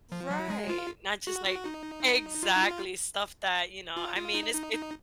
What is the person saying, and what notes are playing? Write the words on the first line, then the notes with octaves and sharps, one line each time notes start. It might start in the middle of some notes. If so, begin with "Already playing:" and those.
Right. Not just, like Exactly, stuff that, you know I mean, it's it
F3
F#3
G#3
F4
F#4
F#4
D#4
F4
D#4
F4
F4
F4
D#4
D#4
D#4